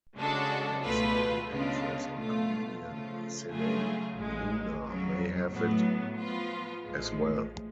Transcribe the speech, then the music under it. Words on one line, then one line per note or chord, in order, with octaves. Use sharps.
Mexican actress and comedian Selene Luna may have it as well.
C#3 G#3 D4 F#4 A4
C#2 B2 A3 F4 B4
C#3 G#3 B3 D4 F4
B2 A3 F4
C#3 F3 A3 F4
C#3 F#3 A3 F4 G#4
A1 A2 G#3
F2 C#3 F#3
A2 F#3 B3
F3 B3 F4 B4
A1 A2 F3 G#3